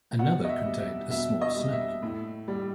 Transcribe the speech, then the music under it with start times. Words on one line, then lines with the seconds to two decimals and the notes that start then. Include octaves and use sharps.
Another contained a small snake.
0.19 B2 F#5
0.44 D#5
0.49 E5
0.65 G3
0.80 E5
1.10 B2 E5
1.42 D#5
1.56 G3
1.72 E5
2.02 A2
2.48 G3